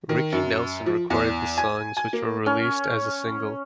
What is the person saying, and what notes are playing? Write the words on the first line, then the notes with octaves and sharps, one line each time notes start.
Ricky Nelson recorded the songs which were released as a single.
D#3
F#2
F3
E2
G#5
G#5
A#3
C#4